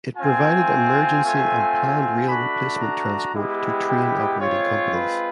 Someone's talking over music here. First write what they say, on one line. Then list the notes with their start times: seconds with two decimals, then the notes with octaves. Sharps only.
It provided emergency and planned rail replacement transport to train operating companies.
0.17 A3 C4 F4 G#5
1.23 A3 C4 F4
2.28 A3 D4 F#4 B5
2.81 A#5
3.35 G#3 B3 E4 G4
3.88 G5
4.40 G#3 C4 F4 C#5
4.93 B4